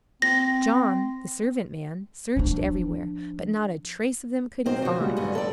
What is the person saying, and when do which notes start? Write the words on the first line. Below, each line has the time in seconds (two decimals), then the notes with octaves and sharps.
John, the servant-man, searched everywhere, but not a trace of them could he find.
0.22 C4 A#6
2.36 F3 D4
4.66 B1 C4 A#4 C5
4.82 C#3 F#4
5.00 G3 G#3 F4
5.17 G2 D3 B3
5.35 G1 A4 D5